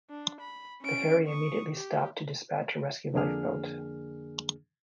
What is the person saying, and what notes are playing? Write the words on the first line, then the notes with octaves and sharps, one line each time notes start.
The ferry immediately stopped to dispatch a rescue lifeboat.
D4
B5
C#4 D7
C#6 D#6
G4
F2 D3 A#3 D4 G#4 F6